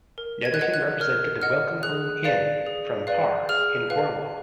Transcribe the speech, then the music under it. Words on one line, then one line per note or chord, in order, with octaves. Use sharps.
Netherton represented the Welcome Home Inn from Par in Cornwall.
A#4
G#6
F#6
D#5 F#5 G#6
F#6
A#4 F6
D#5 F#5 F6
G#4 F#6
B4 D5 F5
G#4
B4 D5 F5
G#4 F6
B4 F5